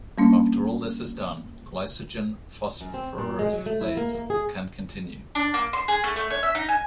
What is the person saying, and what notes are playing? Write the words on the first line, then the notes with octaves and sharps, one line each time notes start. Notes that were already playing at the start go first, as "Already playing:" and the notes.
After all this is done, glycogen phosphorylase can continue.
G3 A#3 C#4 D4
F#2
C4
A#2
G#3
F#3
A3
E4
A#3
A#3
G#4
D4
A#3
C6
G#4
A3
A3
C#5
E5
D#4
G#5